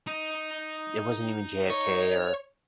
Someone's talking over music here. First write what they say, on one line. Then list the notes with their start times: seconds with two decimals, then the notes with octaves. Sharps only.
it wasn't even JFK or
0.07 D#4
1.70 C#5